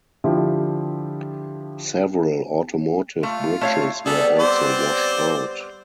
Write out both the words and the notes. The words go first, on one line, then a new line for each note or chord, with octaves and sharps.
Several automotive bridges were also washed out.
D3 F3 E4 F4 G4
A3 F4
A3 C#5 F5
G3 B3 G#4 A4
C4 C5 D5